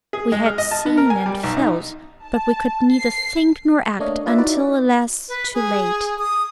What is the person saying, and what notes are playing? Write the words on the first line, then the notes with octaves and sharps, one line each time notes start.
We had seen and felt, but we could neither think nor act, until, alas! too late.
G#4
G#3
F6
D#5
A5
B3
A#4
G#5
G3
B1
D#4
A5
C7
A3 A#3 D4 C#5 D#5 F5
F4 B4 D5 E5
D#4 E4 F#4 B4 D5
B4
G#4
D#6